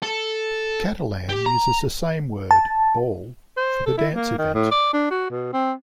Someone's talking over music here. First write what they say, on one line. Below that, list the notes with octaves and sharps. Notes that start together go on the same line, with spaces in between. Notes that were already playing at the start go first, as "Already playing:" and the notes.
Catalan uses the same word, "ball", for the dance event.
A4
G4
A#5
A5
C5
A4
E4
A#3
D#3
A2
D5
D4
F#4
B2
C4